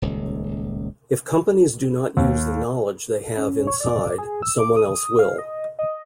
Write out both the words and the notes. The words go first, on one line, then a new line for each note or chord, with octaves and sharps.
If companies do not use the knowledge they have inside, someone else will.
D#1 C#2
D#2
C#4
C#5
D5
G#4
E6
D6
D#6
F5
D#5
D#5